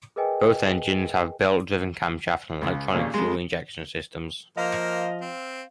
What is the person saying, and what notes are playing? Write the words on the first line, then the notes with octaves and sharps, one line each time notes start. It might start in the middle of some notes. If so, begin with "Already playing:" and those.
Both engines have belt driven camshafts and Electronic Fuel Injection systems.
G#4 A#4 B4 D#5 G5 G#5
C#2 C#3
D#2 A#2 C#3
F2 G#3
F3 A#3 A#4 C5 D#5 F5
C4